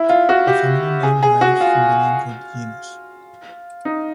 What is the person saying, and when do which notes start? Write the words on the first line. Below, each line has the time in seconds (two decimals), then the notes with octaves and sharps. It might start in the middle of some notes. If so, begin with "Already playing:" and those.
The family name derives from the name for the genus.
Already playing: E4
0.09 F4
0.29 F#4
0.47 G4
1.03 G#4
1.23 G#4
1.41 F#4
1.61 F4
3.85 D#4